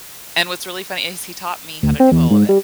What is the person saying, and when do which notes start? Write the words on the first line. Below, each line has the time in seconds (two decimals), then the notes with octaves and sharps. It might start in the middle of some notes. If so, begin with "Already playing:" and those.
and what's really funny is he taught me how to do all of it.
1.83 D2
2.00 C4
2.12 E2
2.31 G#2
2.49 G3